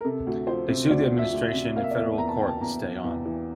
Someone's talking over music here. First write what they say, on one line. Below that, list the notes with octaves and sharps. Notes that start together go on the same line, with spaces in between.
They sued the administration in federal court to stay on.
A#4
C3 A4
D2
F3 C5
C3
D2 D5
F3
E5
D2
E5
C3
A#3 F5
E5
D5
E2 E5
E2 A#5
A5
E2 G5
A5
E2 A#5
E2
E2
E3